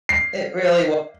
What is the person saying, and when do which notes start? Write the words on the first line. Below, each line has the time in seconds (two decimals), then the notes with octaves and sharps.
It really was.
0.09 C7